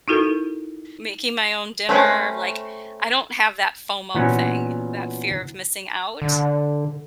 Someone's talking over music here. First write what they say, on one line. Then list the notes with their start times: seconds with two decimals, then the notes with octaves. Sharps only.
making my own dinner, like, I don't have that FOMO thing, that fear of missing out
0.08 D#4 E4 F#4 A4 A#4
1.89 A3 C4 C#4 B4 B5
4.15 A#2 E3 B3 C#4 F#4 G#5
6.22 D3